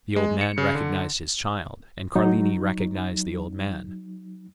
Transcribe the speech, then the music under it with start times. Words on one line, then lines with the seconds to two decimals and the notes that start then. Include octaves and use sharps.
The old man recognized his child, and Carlini recognized the old man.
0.16 G#3
0.41 C#7
0.58 C#3
0.75 D3
2.15 F#3 D#4